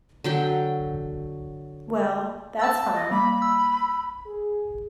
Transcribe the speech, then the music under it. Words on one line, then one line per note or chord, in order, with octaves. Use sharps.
Well, that's fine.
D3 F#3 G5
A5 E6 A6
D#5
G3 A#3 B5
E6
G#4